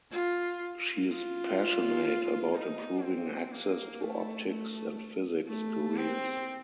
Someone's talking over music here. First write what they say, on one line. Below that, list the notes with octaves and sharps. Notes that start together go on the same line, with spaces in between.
She is passionate about improving access to optics and physics careers.
F4
F4
D#4
C4
A#3
A3
A3
A3
C4